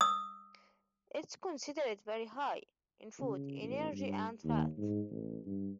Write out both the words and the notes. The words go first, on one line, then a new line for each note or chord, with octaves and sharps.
It is considered very high in food energy and fat.
D#6 E6
C#3
A1
G2
D#2
G#2
A1
G2